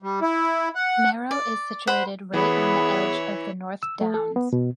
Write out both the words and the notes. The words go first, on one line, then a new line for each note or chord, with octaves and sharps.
Merrow is situated right on the edge of the North Downs.
G3
E4
F#5
D5
C5 F#5 B5
E3 B3 E4 G#4 C#5
E6
A3
A4
B3
B2